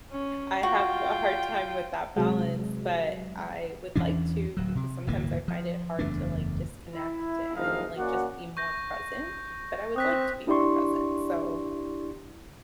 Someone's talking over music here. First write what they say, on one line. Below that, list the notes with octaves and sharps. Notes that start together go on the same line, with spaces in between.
I have a hard time with that balance, but I would like to because sometimes I find it hard to, like, disconnect and, like, just be more present, but I would like to be more present. So,
C#4
F4 F#4 G5
C3 F#3 G#3
E2 E3 C#4 D4
D1 F#3
C3
D1 G1 E3 A#3
F3
F#1 E2 A3 D4
E4
F#1 G2 F3 D#4 F5
A#3 C#4 F#4 D5 F#5
C#6 G6 A#6
C4 D#6 F#6 B6
D4 E4 G4 D5 C6 C#6